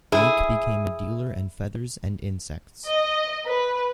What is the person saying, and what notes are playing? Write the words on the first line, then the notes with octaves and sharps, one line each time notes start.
Meek became a dealer in feathers and insects.
E4 G#4
D#5
B4